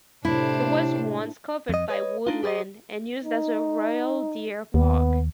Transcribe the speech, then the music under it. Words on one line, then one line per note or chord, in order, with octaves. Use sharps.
It was once covered by woodland and used as a royal deer park.
A2 C3 D4 E4 C5
F2 D#5
B4 C#5 D#5
D4 D#4 F4
G4 G#4 B4 C5 D#5
D#4
D#2 B3